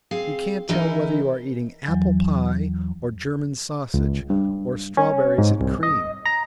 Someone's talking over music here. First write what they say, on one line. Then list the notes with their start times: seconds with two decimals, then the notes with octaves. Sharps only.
You can't tell whether you are eating apple-pie or German sausage, or strawberries and cream.
0.11 C4 G#4 F5
0.69 E3 C#4 D#4 E4 A#4 D#5
1.87 E2 E3 F#3
3.94 C#2
4.30 G2
4.97 C#4
5.38 G#2
5.60 C2
5.83 D#5
6.25 A#5